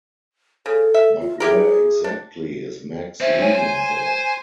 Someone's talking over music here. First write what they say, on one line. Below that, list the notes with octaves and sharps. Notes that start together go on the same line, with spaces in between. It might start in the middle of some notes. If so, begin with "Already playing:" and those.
But where exactly is Max leading her?
C#3 A4
E5
F4
E4 G4 G#4 A#4
D4
C4 C#4 C5 E5
C#5 G#5
C5